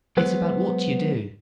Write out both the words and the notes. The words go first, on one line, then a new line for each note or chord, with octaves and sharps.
It's about what you do.
F#3 G#3 B3 B4 C5